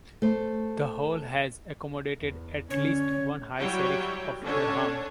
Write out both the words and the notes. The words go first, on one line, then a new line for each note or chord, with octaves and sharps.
The hall has accommodated at least one High Sheriff of Durham.
A3 C5
E2
D3 C#4 C#5
F#3 G3 E4 F#4 C#5 G5
D3 C#4 D4 A4 C#5